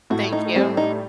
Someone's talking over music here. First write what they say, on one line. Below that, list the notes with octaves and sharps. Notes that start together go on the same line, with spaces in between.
Thank you.
A2 F#4
D#4
G3 C4
D#4